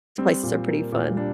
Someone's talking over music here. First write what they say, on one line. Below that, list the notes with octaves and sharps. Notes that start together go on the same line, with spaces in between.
places are pretty fun.
G3 C4
A#2
A#3
A#2
G3 D4